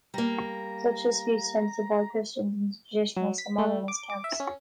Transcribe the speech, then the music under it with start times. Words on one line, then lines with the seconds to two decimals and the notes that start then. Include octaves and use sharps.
Such disputes tend to divide Christians into traditionalist and modernist camps.
0.14 G3 A#3 A#5
3.17 F#3
3.38 B6
3.58 A3
3.88 D6
4.10 D6
4.24 E5
4.40 C#4